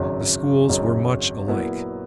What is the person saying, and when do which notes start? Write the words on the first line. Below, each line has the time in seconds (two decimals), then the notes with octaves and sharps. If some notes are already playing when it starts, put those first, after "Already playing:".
The schools were much alike.
Already playing: G#1 F#2 C#3 F#3
0.69 G#1 F#2 C#3 F#3
1.47 A#2 F#3 B3 E4 A#4